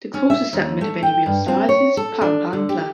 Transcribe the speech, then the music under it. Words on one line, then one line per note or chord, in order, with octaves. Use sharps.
The closest settlement of any real size is Papantla.
C#4
E5
D#2
A3
G5
G2
C4
C#5
A4
D4
D3
G4